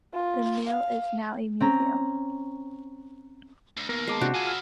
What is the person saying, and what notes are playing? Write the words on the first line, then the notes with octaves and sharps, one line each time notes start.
The mill is now a museum.
F4
F5
C4 C#4 A#5
D2
D#2 B3 A#4
G#3 A5 D6 C7
C3 D4 F#4 G4
C#3 E4 F4 G#4 G#5
F6